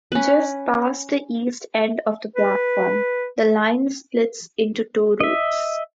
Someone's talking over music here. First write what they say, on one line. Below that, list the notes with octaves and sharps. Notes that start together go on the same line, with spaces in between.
Just past the east end of the platform, the line splits into two routes.
C#4 B4
B4
D#5 E5